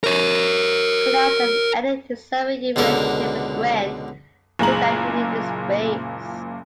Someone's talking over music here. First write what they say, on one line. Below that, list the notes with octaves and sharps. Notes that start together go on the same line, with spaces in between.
Kanal then ended his seven-year relationship with Gwen, saying that he needed "space".
A#4 C#5
C#2 B2 D3 A4 A#4
F#1 A#2 G#3 A#5 F#7